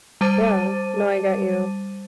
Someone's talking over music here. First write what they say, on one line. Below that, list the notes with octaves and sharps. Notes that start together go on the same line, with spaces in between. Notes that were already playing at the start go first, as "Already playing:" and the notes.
Yeah, no, I got you.
G3 C5 A5 D6 A6 D#7